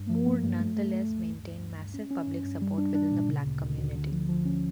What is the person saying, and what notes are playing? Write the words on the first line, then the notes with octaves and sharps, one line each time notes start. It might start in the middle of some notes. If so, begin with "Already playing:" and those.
Moore nonetheless maintained massive public support within the black community.
Already playing: G2
F3
A#3
G2
A3
A3
A3
D2
G2
G2
G2
G2
C#4
C#4
G2
G2
G3
D4
D4
A#2
C#3
D2
D2
D2
D3
F3
F3
C#4